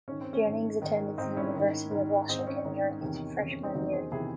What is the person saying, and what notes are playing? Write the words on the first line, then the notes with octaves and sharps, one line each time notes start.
Jennings attended the University of Washington during his freshman year.
G#2 D#3 C#4
C4
C#4
G#2 D#3
G#2 D#3
G#2 D#3 C4 D#4
C#4 E4
G#2 D#3
G#2 D#3
G#2 D#3 C4 D#4
C#4
G#2 D#3
E2 C3 D#3
E2 C3 D#3 C#4
C#4
C4 D#4
E2 C3 D#3 D#4 F#4
G#4 C5
E2 C3 D#3 E4 G#4